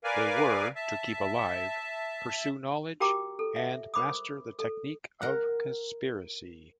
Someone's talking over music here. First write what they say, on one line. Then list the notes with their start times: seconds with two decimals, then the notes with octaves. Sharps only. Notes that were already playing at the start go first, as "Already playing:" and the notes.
They were, to keep alive, pursue knowledge, and master the technique of conspiracy.
0.04 A#4 B4 D5 F5 G#5
0.75 E5 A5
3.00 F#4 G4 A#4 G5 A#5 D6
3.39 A4
3.56 E5
3.94 A#4 C5 B5 D6 D#6
4.59 A4
5.22 A#4 F#5